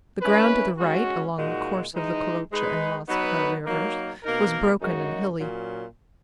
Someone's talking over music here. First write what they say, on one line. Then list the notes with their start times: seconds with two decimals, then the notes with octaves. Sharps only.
The ground to the right--along the course of the Kolocha and Moskva rivers--was broken and hilly.
0.21 G#3 C#4 E4 B4
0.78 G#3 C#4 F#4
1.36 A#2 G#3 D#4 F#4
1.93 E3 G#3 D#4
2.51 G#3 D#4 G#4 B4
3.08 F#3 B3 D#4 F#4 B4
3.66 F#3 A#3 D#4 A#4
4.23 B2 A#3 D#4 A#4
4.81 F#2 C#3 G#3 D#4 F#4
5.39 A#2 F#3 C#4